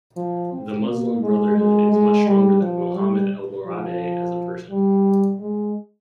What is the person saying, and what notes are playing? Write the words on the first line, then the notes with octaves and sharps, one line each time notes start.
The Muslim Brotherhood is much stronger than Mohamed ElBaradei as a person.
F3
C4
A#3
G#3
G#3
G#3
G3
F3
G3
F3
G3
G#3